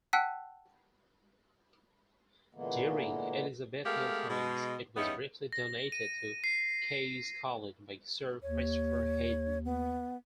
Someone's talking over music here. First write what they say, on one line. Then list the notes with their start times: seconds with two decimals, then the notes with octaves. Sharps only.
During Elizabethian times, it was briefly donated to Caius College by Sir Christopher Heydon.
0.13 F#5 G5 A5 E6 F#6 B6
2.55 A#2 D3 E3 G#3 A#3 B3
3.85 G#3 A3 B3 G4 A#4 F5
4.29 B2 G#3
4.96 E2 G3 B3 C#4 D#4 E4
5.52 A#6
5.92 D#7
6.44 C7
8.43 D#2 C#5
9.65 B3